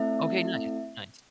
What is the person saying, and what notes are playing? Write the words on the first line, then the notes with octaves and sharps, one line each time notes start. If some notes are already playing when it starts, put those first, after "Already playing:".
Okay, nice, nice.
Already playing: A3 C4 E4 A4 E5